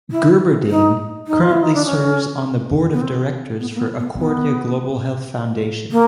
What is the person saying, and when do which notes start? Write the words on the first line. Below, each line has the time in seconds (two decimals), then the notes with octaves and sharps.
Gerberding currently serves on the Board of Directors for Accordia Global Health Foundation.
0.12 E4
0.70 D#4
1.27 D#4
1.41 F4
1.52 E4
1.63 D#4
1.74 D4
1.85 C#4
2.93 B3
3.02 C4
3.60 B3
3.75 A#3
3.79 B3
3.99 B3
4.18 B3
5.92 A#3